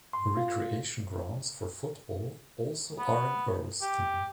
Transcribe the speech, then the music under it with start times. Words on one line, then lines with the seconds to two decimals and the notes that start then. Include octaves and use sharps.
Recreation grounds for football also are in Earlsdon.
0.13 C6
0.37 F4
2.99 B3
3.81 G4